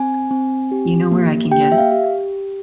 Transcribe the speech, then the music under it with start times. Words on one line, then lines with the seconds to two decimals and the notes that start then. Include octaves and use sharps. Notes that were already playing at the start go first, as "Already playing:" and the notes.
You know where I can get it?
Already playing: C4 G#5
0.31 C4
0.71 G4
1.12 A#3
1.51 G4 G5
1.72 E5
1.78 F5
1.92 G4